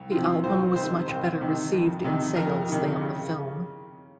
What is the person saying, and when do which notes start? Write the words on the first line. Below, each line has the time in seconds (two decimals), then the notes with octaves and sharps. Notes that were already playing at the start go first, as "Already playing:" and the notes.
The album was much better received in sales than the film.
Already playing: C2
0.12 C3 F3 C4 F4
0.44 C2 C5
0.76 C3 D#3 C5
1.08 C2 C5
1.41 C3 D#3
1.73 F2
2.04 C3 D#3
2.36 F2 A#4
2.68 C3 D#3
3.01 C#3